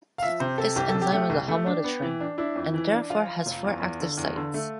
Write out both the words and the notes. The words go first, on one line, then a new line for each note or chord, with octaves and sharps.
This enzyme is a homotetramer, and therefore has four active sites.
F5
F3 E5
C3 C5
C3 A4
C2 G4
A4
C3
G4
A3
C2
A3
D4
B3
E3
D4
D4 E4
F2
E3
D4
F3 F4
F3
F1
E2
E2
D3
E2
D3
A3